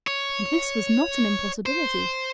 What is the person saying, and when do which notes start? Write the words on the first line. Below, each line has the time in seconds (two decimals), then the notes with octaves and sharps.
And this was not an impossibility.
0.07 C#5
1.66 C5